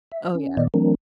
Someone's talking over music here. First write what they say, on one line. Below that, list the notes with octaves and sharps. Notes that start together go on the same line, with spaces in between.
Oh yeah.
E5
C#4
A#2 D#3 B3 D5 D#5
E3 F#3 A3 C4 D4 A#4